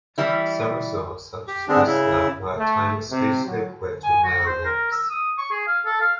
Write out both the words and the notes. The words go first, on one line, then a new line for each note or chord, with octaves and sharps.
Some resorts, such as Whistler were at the time exclusively equipped with Mueller lifts.
E3 G3 E4
G4
D3 G#3 B3 C4 D4
C#3 E4
A3
C3
F#3
G#5
F#4
C5
A#4
E6
D#6
C#6
G#4
F5
A4
F5